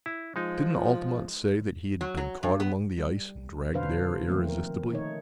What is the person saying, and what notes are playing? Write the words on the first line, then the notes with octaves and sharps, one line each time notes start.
"But didn't Altamont say that he had been caught among the ice, and dragged there irresistibly?"
E4
F3 G#3 D#4
F#3
F#3
G2
B3
G3
B2 D3 D4 B4 C5 F5
D#3 F3 A3 A#3 C4
F3 A#4
D#3 A3 D#4 C#5